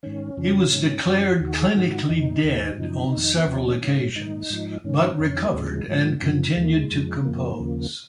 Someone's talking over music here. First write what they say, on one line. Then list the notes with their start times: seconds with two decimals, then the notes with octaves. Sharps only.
He was declared clinically dead on several occasions, but recovered and continued to compose.
0.03 G#2 D#3 C#4
0.37 F2 C#3 F3
0.72 G#2 D#3
1.06 F#2 F3
1.40 D#2 D#3 F#4
1.54 G#4
1.68 F#4
1.75 G#2 D#3
2.09 F2 D#3 D#4
2.44 D#2 D#3
2.78 F#2 C#3 F3
3.12 F2 D#3
3.36 B3
3.47 D#2 C#3 F3 C#4
3.81 G#2 D#3
4.15 G#2 D#3 D#4
4.50 G#2 F3
4.84 G#2 D#3 C#4
5.19 F2 D#3
5.42 A#3
5.53 D#2 C#3 F3 G#3
5.88 G#2 F3
6.22 F#2 C#3 F3
6.56 D#2 D#3 G#3
6.65 A#3
6.74 G#3
6.91 F2 F3
7.25 F2 C#3 F3 A#3
7.60 D#2 C#3 F3